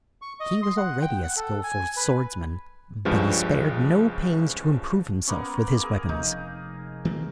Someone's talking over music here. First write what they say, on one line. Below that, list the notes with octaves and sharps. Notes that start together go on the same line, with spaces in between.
He was already a skilful swordsman, but he spared no pains to improve himself with his weapons.
C#6
D#5
C6
F#5
G5
F#5
A4
G#5
B4
C#2 G2 C#3 F3
A#3 B3 C#4
G#4 A#4
F1 D#4
D#3 F#3 C4